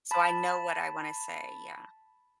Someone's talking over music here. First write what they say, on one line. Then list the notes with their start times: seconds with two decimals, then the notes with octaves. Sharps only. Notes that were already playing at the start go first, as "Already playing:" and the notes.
so I know what I wanna say, yeah.
0.11 A5 B5